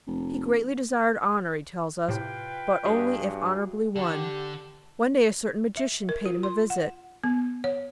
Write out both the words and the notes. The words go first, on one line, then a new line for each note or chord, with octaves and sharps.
He greatly desired honour, he tells us, but only if honourably won. One day a certain magician paid him a visit.
F1
A2 C3 F4 B4 G5
G2 F#4 G#4 D#5
D3 G4 A4
E5
A#4
F4
C6
F#5
B3
C#5